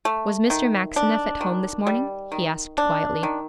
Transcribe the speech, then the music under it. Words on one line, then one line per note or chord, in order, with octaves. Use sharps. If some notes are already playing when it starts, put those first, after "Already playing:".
'Was Mr. Maxineff at home this morning?' he asked quietly.
A3
D#3
D4
D#3
G3
D#3
D4
D#3